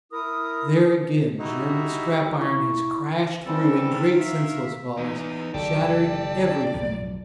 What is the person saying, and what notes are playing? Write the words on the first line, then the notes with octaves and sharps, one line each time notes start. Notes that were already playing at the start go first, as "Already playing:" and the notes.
There again German scrap-iron has crashed through in great senseless volleys, shattering everything.
E4 A#4 D#6
G3 D#4 E4 F#4
E4 C#6
E3 G3 C4 A4
D#3
E5 F5
E2 D#4
F#1 D#3 G4 A4 D5
B1 F#2 F3